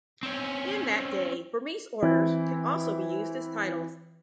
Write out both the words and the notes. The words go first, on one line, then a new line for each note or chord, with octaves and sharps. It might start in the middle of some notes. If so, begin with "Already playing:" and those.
In that day, Burmese orders could be also used as titles.
C4 C#4
E3 C4 E4